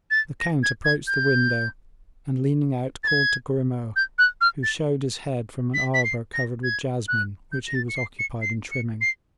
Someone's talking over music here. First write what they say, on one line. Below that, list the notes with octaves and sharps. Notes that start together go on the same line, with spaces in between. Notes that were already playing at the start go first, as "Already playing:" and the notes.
The count approached the window, and leaning out, called to Grimaud, who showed his head from an arbor covered with jasmine, which he was occupied in trimming.
A6
A#6
G#6
G#6
G6
A6
G#6
G6
F#6
F6
A6
B6
B6
C7
A#6
G#6
F#6
G6
A#6
A6
C#7
C7
C#7
C7
C#7
C7